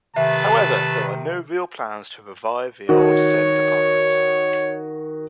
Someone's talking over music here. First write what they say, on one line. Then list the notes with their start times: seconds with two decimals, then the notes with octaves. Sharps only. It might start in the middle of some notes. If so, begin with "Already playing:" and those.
However, there are no real plans to revive the old Seine department.
0.16 C3 D#3 A3 B4 E5 A5
2.89 D#3 F#4 C#5